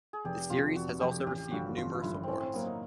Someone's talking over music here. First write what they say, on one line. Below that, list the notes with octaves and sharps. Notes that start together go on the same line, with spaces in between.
The series also has received numerous awards.
G#4
F1 G4
F2 C3 F4
F1 F#4
F2 C3 G4
A1 G4
G2 D3 F3 F#4
A1 F4
F4
G2 D3 F3 E4
A2 C4 C#4
C4
F#3 A#3 B3
D#4